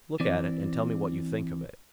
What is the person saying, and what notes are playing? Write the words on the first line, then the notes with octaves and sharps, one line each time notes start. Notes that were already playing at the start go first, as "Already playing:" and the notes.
"Look at it, and tell me what you think of it."
E3 C4 D5